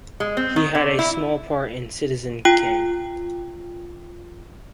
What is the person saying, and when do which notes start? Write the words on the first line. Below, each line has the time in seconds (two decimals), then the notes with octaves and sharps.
He had a small part in "Citizen Kane".
0.20 G#3
0.37 C4
0.56 D#3
0.75 D3
0.99 E4
2.45 F4 G5